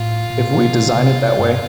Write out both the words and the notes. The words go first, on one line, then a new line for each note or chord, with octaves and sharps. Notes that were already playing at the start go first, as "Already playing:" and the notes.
If we design it that way.
Already playing: A2 F4
A#2
C3
B2
C#3
C3
G2